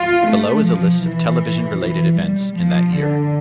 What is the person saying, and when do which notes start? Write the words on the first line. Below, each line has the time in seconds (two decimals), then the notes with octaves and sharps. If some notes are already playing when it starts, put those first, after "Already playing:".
Below is a list of television-related events in that year.
Already playing: F4
0.27 A3
0.64 F3
1.03 E3
1.80 E3
2.18 G3
2.56 F3
2.94 D3